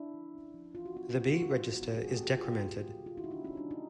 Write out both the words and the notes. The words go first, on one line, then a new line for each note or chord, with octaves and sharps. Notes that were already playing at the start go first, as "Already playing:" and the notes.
The B register is decremented.
Already playing: D4 E4
F3
C#4
F3
E3 F4
F#4
B3 F4
F#4
G#3
F4
C#3 F#4
D#4 F4
E3
B3
G#3 F#4 G#4
G4 A4
C#3
F#4 G#4
D#3 F4 G4
B3
G3
C3
F4
D#3 E4 F#4
D#4
D4 E4
B3
C#4 D#4
G3 D4
D#4